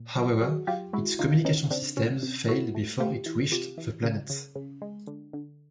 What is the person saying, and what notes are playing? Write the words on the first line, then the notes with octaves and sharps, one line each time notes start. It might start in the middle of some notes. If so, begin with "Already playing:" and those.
However, its communications systems failed before it reached the planet.
Already playing: A#2
F#3
F#3 F#4 G#4
F#3 F4 G4
G#3 E4 F#4
C#3 D#4 F4
E3 C#4 D#4
C#3 C4 D4
C3 C#4
C3
A3 E4 F#4
A3
A3 F4 G4
E3
C3 F4 G4
E3
C#3
C#3
C#3
G#3
D3
D3